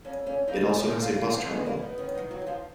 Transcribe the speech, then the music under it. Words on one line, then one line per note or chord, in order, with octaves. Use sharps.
It also has a bus terminal.
F2 C#4
F2 C#4
F2 D#4
F3 C#4
D#4
F3
F3 F4
F2
F3 F4
F3 B3 F4
G#3 G#4
B3
A#3 A#4
B3
D#4
D#3 C#4
D#4
D#3
F#3 F#4
F#3
F3 F4